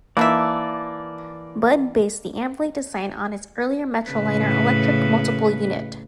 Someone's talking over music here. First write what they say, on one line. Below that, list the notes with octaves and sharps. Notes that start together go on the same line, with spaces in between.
Budd based the Amfleet design on its earlier Metroliner electric multiple unit.
D#3 E3 A#3 D4 D5 E5 A5
A2 C#3 B4